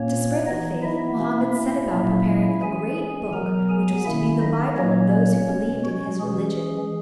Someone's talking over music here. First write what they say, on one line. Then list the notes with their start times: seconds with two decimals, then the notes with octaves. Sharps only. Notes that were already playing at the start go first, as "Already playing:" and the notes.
To spread the faith Mohammed set about preparing a great book which was to be the bible of those who believed in his religion.
Already playing: A#2 A#3 C#4 C#5
0.46 E3 B3 D#4 D#5
0.82 E4 E5
1.18 B2 A#3 C#4
1.54 E4 E5
1.90 A#2 F#3 A#3 C#4
2.25 E4 E5
2.61 E3 G#3 C#4 G#4 G#5
2.98 G#4 G#5
3.33 B2 F#3 B3 A#4 A#5
3.69 G#4 G#5
4.04 D#3 A#3 C#4 E4 E5
4.41 D#4 D#5
4.76 A#2 F#3 A#3 C#4 C#5
5.12 C#4 C#5
5.48 B2 G#3 C#4
5.84 F#4
6.20 E3 G#3 C#4 G#4